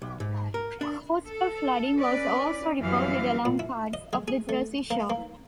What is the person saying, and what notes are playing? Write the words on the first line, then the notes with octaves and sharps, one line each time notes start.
Coastal flooding was also reported along parts of the Jersey Shore.
B1
G#2
A#4
D4
A4
C#4 B4 D5
F#2 E3 F#3 G3 F5
A#2
E4
D#5
G#3
G#4
A3
A#3
A#3